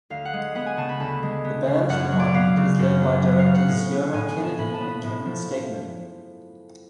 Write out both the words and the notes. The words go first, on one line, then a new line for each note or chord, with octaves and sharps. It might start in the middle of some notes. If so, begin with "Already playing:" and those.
The band department is led by directors johann kennedy and Kevin Steggmann.
D2 F5
F#5
G#3
B3 F#5
G#5
C#3 A5
B5
D2 A5
G#3
B3
C#3
F#2 F#5
C#5
F#3
D5
B3 F5
C#3
F#2
F#3
B3
F5
C#3
F#5
A2
B3
A2 G#5
G#5
F3
A5
A2 B5
A5
B3
B5
A2
F3